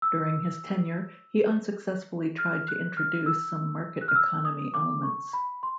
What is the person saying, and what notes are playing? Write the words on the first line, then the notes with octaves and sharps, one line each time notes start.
During his tenure, he unsuccessfully tried to introduce some market economy elements.
E6
F6
F#6
F6
E6
F#6
F6
E6
D#6
D6
C#6
B5
C6